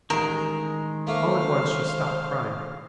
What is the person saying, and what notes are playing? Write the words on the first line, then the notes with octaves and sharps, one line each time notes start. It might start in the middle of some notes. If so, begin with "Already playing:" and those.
All at once she stopped crying.
A1 D#3 G#3 A#4 A#5
A3 A#3 C5 F5